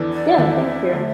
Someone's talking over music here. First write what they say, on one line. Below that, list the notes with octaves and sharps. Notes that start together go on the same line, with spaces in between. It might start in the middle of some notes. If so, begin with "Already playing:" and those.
Yeah, thank you.
Already playing: E2 E3 D4 A4
D5
E2 E3 D4 A4 E5
D3 A3